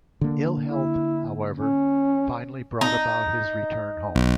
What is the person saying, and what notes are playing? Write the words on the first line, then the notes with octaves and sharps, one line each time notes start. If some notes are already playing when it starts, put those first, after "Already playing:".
Ill health, however, finally brought about his return home.
D3 A#3
E4
C#4
D#4
B1